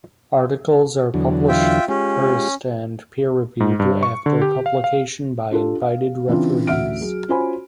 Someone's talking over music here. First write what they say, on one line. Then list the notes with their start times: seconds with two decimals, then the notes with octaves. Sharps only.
Articles are published first and peer reviewed after publication by invited referees.
1.14 E2 D3 F#3
1.48 F4 E5 G5
1.88 G#3 C#4 F4 G4
3.60 G#2
3.80 G2
4.03 C#6
4.26 D3
4.42 G4
4.66 F5
4.84 F5
5.51 D4 F4 G4 A4
5.81 F5
6.28 C#3 E3 C4 D4 F4
6.67 A1 D2 E5 F#5 F6 D7
7.01 F#3 G#4
7.28 C#4 F4 F#4 C5 G#5 B5